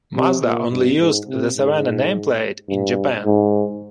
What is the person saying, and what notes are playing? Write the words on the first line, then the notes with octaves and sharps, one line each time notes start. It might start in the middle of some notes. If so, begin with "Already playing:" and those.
Mazda only used the Savanna nameplate in Japan.
C3
A#2
G2
G#2
C3
G#2
G2
G#2